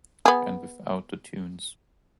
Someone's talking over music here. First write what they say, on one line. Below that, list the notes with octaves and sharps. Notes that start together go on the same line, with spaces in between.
And without the tunes.
B3 G#4